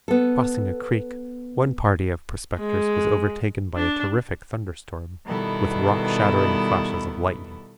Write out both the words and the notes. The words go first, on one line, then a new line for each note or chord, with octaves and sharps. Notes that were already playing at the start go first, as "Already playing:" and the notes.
Crossing a creek one party of prospectors was overtaken by a terrific thunderstorm, with rock-shattering flashes of lightning.
B3 A4
G#3
D4
B2 D#3 G3 B3 E4 A4